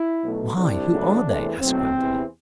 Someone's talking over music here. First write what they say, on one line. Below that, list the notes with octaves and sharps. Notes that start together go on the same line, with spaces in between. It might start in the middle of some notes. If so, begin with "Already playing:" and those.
"Why, who are they?" asked Gwendolen.
Already playing: E4
B1 B2 F#3 A3
C2 C3 G3 D4
F#1 E2 B2 F#3 A3
E2 C3 E3 A3
B1 A2 F#3 A3 C4
E2 C3 E3